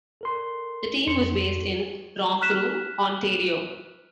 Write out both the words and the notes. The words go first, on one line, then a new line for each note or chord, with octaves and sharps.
The team was based in Renfrew, Ontario.
A4 A#4 C6
F2 A4 C6 C#7
F6 F#6 B6 E7